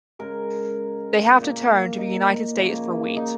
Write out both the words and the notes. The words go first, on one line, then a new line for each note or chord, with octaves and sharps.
They have to turn to the United States for wheat.
C#3 G#3 A#4
A#2 A#3
D#4
C#3 F3 A#3
D#4